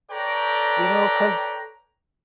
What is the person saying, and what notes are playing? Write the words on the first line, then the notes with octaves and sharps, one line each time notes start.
You know? 'Cause,
A4 B4 C#5 D5 G5 A#5